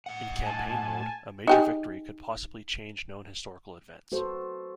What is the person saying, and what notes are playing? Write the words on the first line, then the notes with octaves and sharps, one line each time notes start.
In Campaign Mode, a major victory could possibly change known historical events.
A2 F#5
G#5 A5
D#4 G4 G#4
F#4 A4 B4 C5